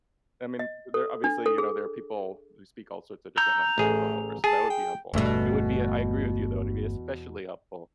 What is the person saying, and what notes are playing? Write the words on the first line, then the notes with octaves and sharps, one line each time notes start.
I mean, there obviously, you know, there are people who speak all sorts of different languages all over, so that would be helpful. It would be I agree with you, though, it'd be especially helpful.
D#5
A4
D4
A4
G#4
A#5 E6 G6
A1 A3 G#4
G#4 A5
G5
G1 E2 G2 B2 A3